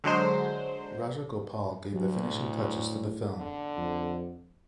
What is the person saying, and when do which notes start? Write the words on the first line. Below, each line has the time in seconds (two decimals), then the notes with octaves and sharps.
Rajagopal gave the finishing touches to the film.
0.04 D3 F#3 G#3 C5
1.94 D2 F#3
2.28 A2
3.37 D3
3.77 F2